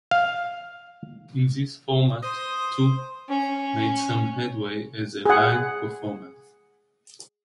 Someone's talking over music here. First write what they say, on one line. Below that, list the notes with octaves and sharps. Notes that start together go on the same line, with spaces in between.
In this format, Took made some headway as a live performer.
F5
C5 D#6
C#4
G#4 F#5